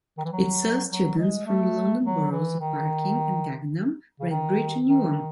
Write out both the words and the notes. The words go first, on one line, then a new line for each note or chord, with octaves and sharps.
It serves students from the London Boroughs of Barking and Dagenham, Redbridge, and Newham.
D#3
E3
F#3
F#3
G#3
A3
F#3
E3
D#3
C#3
D#3
D#3